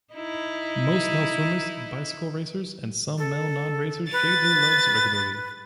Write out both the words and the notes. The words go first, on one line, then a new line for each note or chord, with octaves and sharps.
Most male swimmers, bicycle racers, and some male non-racers shave their legs regularly.
D#4 E4
A4
B4 A6